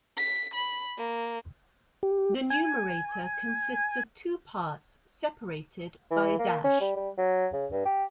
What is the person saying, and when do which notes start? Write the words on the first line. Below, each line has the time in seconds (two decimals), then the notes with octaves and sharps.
The numerator consists of two parts separated by a dash.
0.17 B6
0.54 B5
0.98 A#3
2.03 G4
2.50 G#5
6.11 E3
6.39 A#3
6.64 C#4
6.81 G3
6.96 G3
7.18 F#3
7.53 C#3
7.71 G2
7.85 G4